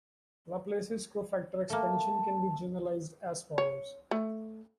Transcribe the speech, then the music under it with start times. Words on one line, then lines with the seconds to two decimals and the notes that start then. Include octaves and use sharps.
Laplaces cofactor expansion can be generalised as follows.
1.70 A3 A#3 A5
3.58 C#5
4.11 A3